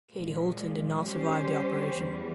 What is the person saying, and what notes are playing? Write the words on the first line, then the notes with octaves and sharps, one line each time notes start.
Katie Holton did not survive the operation.
A#2 F3 G#3
G3 C#4 G4 C5
E2 E3 G3